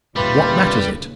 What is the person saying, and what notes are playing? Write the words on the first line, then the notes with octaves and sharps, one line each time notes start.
But what matters it?
D#2 A#2 C#3 G3 E4 F4 G4 B4